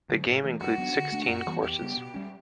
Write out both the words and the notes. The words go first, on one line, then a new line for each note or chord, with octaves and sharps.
The game includes sixteen courses.
D3 F#3
A2
E3 A3
G2 F#4
F#3 B3 D4
D3
A3 D4
F#2
E3 G3 B3
E2 G4
C#3 G3 B3
B2
G3 C#4